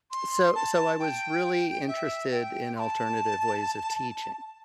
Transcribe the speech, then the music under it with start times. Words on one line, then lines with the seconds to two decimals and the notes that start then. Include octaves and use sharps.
So so I was really interested in alternative ways of teaching.
0.11 C6
0.55 A5
0.99 G5
1.88 E5
2.31 G5
2.76 C6
2.79 A5